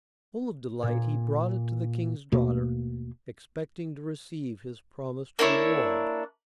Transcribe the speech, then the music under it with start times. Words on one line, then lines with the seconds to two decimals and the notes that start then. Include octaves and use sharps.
Full of delight he brought it to the King's daughter, expecting to receive his promised reward.
0.82 A#2
2.32 D#2 B2 A3 A#3
5.39 A#3 D4 E4 C#5